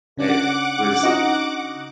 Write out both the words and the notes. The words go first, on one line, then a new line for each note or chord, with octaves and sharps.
that was
C#3 C#4 D4 F#5 D6
D#4 F#4